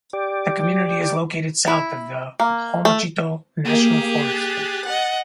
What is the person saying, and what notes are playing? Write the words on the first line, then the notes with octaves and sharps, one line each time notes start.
The community is located south of the Homochitto National Forest.
G4 D5
E4
A#3
A3
A#3 G4 G#4
F#6 A6
D#5 F#5